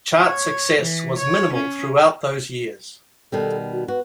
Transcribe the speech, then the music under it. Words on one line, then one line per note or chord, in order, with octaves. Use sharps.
Chart success was minimal throughout those years.
C#5
E3
C#5
C#4
B2 D#3 G3 A4
F#4
F#4 B4